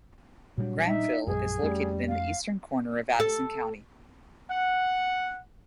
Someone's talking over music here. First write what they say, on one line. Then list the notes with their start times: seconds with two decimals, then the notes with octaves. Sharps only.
Granville is located in the eastern corner of Addison County.
0.58 A#2 F#3 G3 D4
0.87 D#4 E5
1.27 A#1 F#2 G#3 G#4
1.63 F2 G3 A3 C#4
2.08 F5
3.20 A4
4.50 F#5